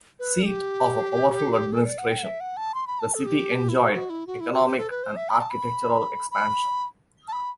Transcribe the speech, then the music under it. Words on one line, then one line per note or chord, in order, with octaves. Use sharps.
Seat of a powerful administration, the city enjoyed economic and architectural expansion.
B4
G4
A4
D5
F#5
G5
F#5
E5
F#5
A5
C6
B5
A5
A4
G4
E4
F#4
F#4
E4
F#4
E4
F#4
G4
A4
B4
C5
E5
B5
A5
B5
B5
A5
B5